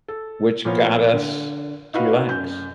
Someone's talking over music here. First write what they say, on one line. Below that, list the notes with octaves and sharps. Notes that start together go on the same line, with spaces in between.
which got us to relax,
A4
A#2 F3 B3 A#4 C#5
D3
D#4 F#4 B4 F5
F#2 G6